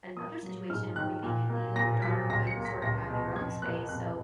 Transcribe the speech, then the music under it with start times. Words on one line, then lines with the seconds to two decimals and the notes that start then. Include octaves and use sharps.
another situation where maybe y you and your daughter could sort of have your own space so
0.16 A#3 D#6
0.43 F#3
0.70 G#2 F6
0.96 D#3 F#6
1.23 A#2
1.50 A#3
1.76 A#2 A#6
2.02 F#3 B6
2.29 C#2 A#6
2.47 C#7
2.56 A#3
2.65 B6
2.82 C#2 A#6
3.09 B2
3.36 F2 G#6
3.62 A#3 F#6
3.89 F2 F#6